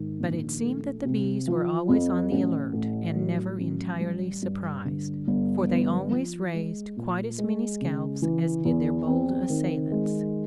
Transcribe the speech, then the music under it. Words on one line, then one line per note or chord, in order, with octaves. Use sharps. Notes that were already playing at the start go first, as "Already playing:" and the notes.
But it seemed that the bees were always on the alert and never entirely surprised, for they always raised quite as many scalps as did their bold assailants!
Already playing: G#2 D#3
A#1
A3
C3
F3
F2
A1
A2
F#3
A1
G3
G2
D3
G1
B3
F3
G#3
A#2
G#3
C#3
E3
E2
C4
D#3
G#3